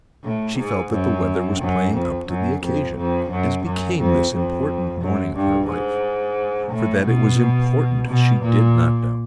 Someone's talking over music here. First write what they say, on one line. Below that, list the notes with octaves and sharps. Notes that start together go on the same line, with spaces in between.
She felt that the weather was playing up to the occasion, as became this important morning of her life. For that it was important she did not doubt.
A2
G#2
F#2
F#2
F2
F#2
F2
F2
F#2
F#2
F2
F2
F#2
G2
G#2
A2
B2
B2
A#2